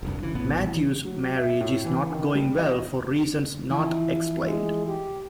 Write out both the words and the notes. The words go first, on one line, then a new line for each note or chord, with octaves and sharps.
Matthew's marriage is not going well for reasons not explained.
F1 C2 G2
C#3 E3
A#1 A2 B3
E3
F#3
E5
A2
E3
D#3
G3
D#5
E3 F3 E4
G#3
G4